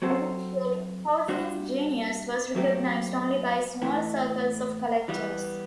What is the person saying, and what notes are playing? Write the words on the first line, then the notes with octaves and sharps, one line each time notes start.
Initially, Poussin's genius was recognized only by small circles of collectors.
F#3 C4 F#4 A4 C5
G3 D4 F#4 C5
F#2 F#3 A3 C4 G4
A2 E3 B3
E3 G3 B3